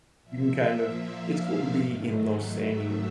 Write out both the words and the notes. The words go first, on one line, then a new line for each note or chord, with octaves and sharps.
you can, kind of it's cool to be in those same
A#2 F3 A#3 E5
F5
G#2 D#3 F#3 A3
E5